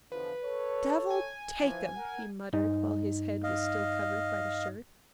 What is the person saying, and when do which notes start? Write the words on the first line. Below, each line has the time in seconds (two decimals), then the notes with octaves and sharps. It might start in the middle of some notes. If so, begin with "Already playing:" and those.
"Devil take 'em!" he muttered, while his head was still covered by the shirt.
0.12 E2 D3 F3 B4
0.43 A4 C#5
1.10 G#5
1.60 E3 F3
1.96 A#4 F#5
2.53 G2 D#4
3.44 D#5 F5